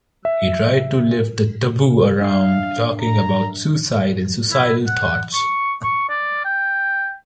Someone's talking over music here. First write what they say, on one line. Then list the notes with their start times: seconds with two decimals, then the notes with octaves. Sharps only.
He tried to lift the taboo around talking about suicide and suicidal thoughts.
0.25 E5
2.21 D4 E5 F5 C7
3.01 A#5
4.51 E4
4.87 F#5
5.34 C#6
5.83 C#6
6.09 D5
6.45 G5